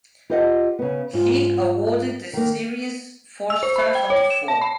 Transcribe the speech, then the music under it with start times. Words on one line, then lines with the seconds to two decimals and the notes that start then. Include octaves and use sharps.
He awarded the series four stars out of four.
0.30 F4 G4 C5 D#5 E5 F#5
0.79 C#3 B3
1.13 G#2 F4
2.33 D#3 A#3
3.50 E6
3.63 C5
3.76 B5
3.95 G5
4.10 C#5
4.30 E7
4.48 A5
4.62 B5